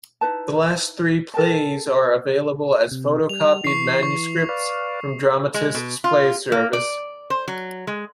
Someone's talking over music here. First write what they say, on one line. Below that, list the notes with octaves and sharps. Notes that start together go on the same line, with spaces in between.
The last three plays are available as photocopied manuscripts from Dramatists Play Service.
D#4 E4 B4 A5
A4 A#4 G5 A5
C3
G3 F7
E3 C#6 C7
C#6
B4 D5 F5
G#3
B2
F4
A#3
D5
C5
F#3
G#3